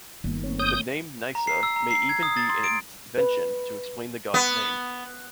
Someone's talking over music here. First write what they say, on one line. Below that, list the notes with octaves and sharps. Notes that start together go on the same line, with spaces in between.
The name "Nysa" may even be an invention to explain the god's name.
G1 D#3 A#3
A3 C4 C#5
C#5 D#6 G6
A#5
C7
E6
A#5
C7
G#6
D#6
A6
C6
D7
B4
B3